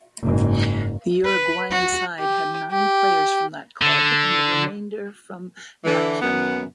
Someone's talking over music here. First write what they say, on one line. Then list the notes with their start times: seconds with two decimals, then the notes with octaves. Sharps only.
The Uruguayan side had nine players from that club and the remainder from Nacional.
0.22 F#1 G#2
1.24 B4
1.71 F#4
2.19 G4
2.71 G4
3.82 D3
5.85 D3 E3
6.21 F#2 B3